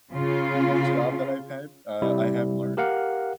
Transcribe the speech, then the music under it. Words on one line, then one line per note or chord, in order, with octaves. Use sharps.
previous job that I've had, uh, I have learned
C#3 F4
C3 G3 E4
G4 A#4 F5 F#5